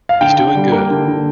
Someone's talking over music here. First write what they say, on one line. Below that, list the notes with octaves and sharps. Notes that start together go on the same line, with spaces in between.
He's doing good.
F5
D3 G5
D3
G3
A#3
D3
D3